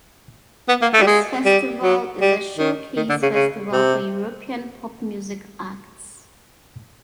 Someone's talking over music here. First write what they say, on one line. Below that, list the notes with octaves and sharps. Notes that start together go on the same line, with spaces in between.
This festival is a showcase festival for European pop music acts.
B3
A#3
A3
G3
G#3
G3
F#3
G3
D#3
D#3
D3
C#3
C#3
C3